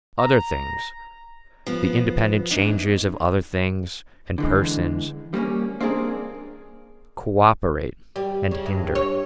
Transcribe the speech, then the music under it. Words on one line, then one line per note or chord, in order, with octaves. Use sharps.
Other things, the independent changes of other things and persons, cooperate and hinder.
A#5
F3 B3
E3 D4 D#4
D3 E3 G#3
G3 A#3 C4 C#4
A#3 C4 D4 F#4 G#4 A#4
G3
C#3
G2
C#5